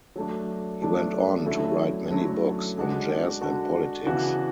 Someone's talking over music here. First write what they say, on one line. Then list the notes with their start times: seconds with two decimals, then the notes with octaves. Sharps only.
He went on to write many books on jazz and politics.
0.16 F#3 A3 D4
0.81 F#3 A3 D4
1.46 D3 F#3 A3 C#4 E4
2.11 D3 F#3 A3 C#4 E4
2.77 D3 G#3 D4 F#4
3.42 D3 G#3 D4 F#4
4.06 C#3 E3 B3 D4 F#4